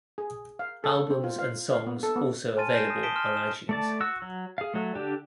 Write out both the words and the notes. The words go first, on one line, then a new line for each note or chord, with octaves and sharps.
Albums and songs also available on iTunes.
G#4
F5
A4
C4
F4
F5
F5
B3
A4
B3
G#5 A5 C6 F6 A6 D#7
G6 A#6 C7 D7 E7
D#6
A5 D#6 B6 D7 E7 G7
C6 F6 E7
E7
A3 D5 A5
F#4 E6
F#3
G#4 F5
F#3 A3
D3 D4 G4